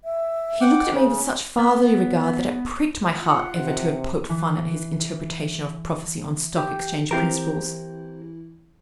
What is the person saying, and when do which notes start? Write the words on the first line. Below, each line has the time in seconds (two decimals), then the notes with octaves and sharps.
He looked at me with such fatherly regard that it pricked my heart ever to have poked fun at his Interpretation of Prophecy on Stock Exchange principles.
0.04 E5
0.61 F#5 G5 D6
0.78 D#4
0.94 C#3 C5
1.09 C#4
1.59 B3
3.17 F4 F#5
3.57 C3
4.29 E3
6.57 G4
7.11 E3 C4 E4 G4 A#4